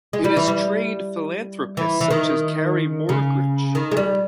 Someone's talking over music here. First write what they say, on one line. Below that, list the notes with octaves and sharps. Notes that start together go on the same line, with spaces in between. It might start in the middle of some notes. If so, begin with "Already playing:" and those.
It has trained philanthropists such as Carrie Morgridge.
G#3
G3
E3
G3
E3
E3
D#3
C#3
D#3
G#3
G3